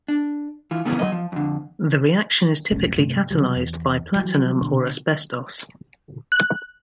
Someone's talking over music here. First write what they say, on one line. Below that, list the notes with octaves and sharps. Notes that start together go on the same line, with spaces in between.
The reaction is typically catalyzed by platinum or asbestos.
D4
E3 F4
C#3 E3 A#3 B3 C#4 G#4
F#3 D#5
F3
F2 D3
F1 B1 A3 C#4
G2 C3 A3
C3 D#3 F#3 G3
E2
E3 F#3 G3
B2 D3
F#6